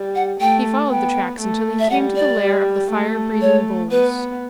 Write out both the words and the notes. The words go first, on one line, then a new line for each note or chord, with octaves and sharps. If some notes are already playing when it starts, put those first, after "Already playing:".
He followed the tracks until he came to the lair of the fire-breathing bulls.
Already playing: G3
F#5
A3 G5
B3 G5
A3
E5
G3 F#5
D5
G3
A3
C#5
B3 B4